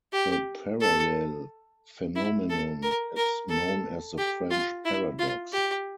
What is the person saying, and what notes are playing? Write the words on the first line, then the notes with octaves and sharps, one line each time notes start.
A parallel phenomenon is known as the French Paradox.
G4
A4
E4
A4
A#4
A#4
A4
G4
F4
E4
F4
G4